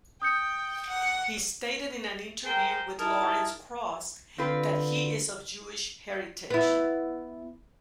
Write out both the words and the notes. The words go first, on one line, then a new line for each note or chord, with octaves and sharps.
He stated in an interview with Lawrence Krauss that he is of Jewish heritage.
G5 D#6 G6 C#7
F#5
G#4 A#4 C5 G5
D#4 E4 G#4 A#4 A5
D3 C4 F4 B4
B3 E4